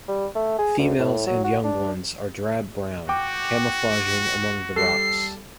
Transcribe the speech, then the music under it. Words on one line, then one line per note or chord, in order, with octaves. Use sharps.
Females and young ones are drab brown, camouflaging among the rocks.
G3
A3
G#4
D2
A2
F#3
F#4
D4
F#4 G5 D6
G3 A4 C7